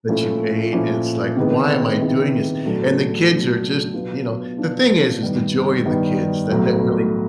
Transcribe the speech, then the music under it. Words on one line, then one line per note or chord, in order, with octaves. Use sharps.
that you ate, and it's like, "Why am I doing this?" And the kids are just you know? The thing is is the joy and the kids that that really
A#2 F3 A3 C#4 E4
A#2 F3 A3 C#4 E4
C3 D#3 G#3 B3 E4
C3 D#3 G#3 B3 E4
B1 A2 F#3 A3 D4
B1 A2 F#3 A3 D4
B2 F#3 B3 D4 F4
B2 F#3 B3 D4 F4
G2 D#3 G3 B3
G2 D#3 G3 B3
B1 A2 F#3